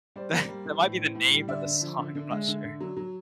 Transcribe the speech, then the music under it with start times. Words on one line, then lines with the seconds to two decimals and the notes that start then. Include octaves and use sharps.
That that might be the name of the song, I'm not sure.
0.16 G3 C5 D5
0.33 A#3
0.49 G3
0.65 E3
0.82 A2
0.98 E3
1.15 A2
1.31 G3
1.48 D3 D5 E5
1.65 D3
1.81 F3
1.98 D3
2.15 D3
2.30 G#3
2.48 D3
2.64 D3
2.80 F#3
2.97 F#3